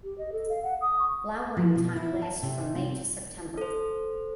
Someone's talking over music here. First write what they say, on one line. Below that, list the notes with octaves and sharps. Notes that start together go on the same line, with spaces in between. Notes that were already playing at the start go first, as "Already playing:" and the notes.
Flowering time lasts from May to September.
G4
D#5
A4
F5
F#5
D#6
C#6
F3
B2
E4
A5
C3
C4
A4 C5